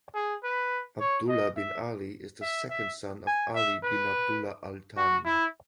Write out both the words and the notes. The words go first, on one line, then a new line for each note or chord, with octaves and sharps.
Abdullah bin Ali is the second son of Ali bin Abdullah Al Thani.
G#4
B4
C#5
D#5
E5
E5
E5
G#5
E5
B4
F#4
E4